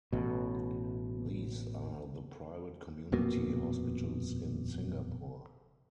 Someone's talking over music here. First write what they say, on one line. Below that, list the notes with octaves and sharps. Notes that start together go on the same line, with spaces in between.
These are the private community hospitals in Singapore.
A1 B2
D#1 F2 B2 A#3